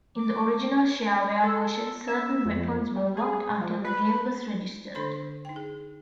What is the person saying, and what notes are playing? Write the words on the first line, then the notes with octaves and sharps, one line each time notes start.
In the original shareware version certain weapons were locked until the game was registered.
D6
A4
E5
F2
G3
G#4
F3
B4
D3 D4 A4 C5 B5 C6
D#4 G5
G#4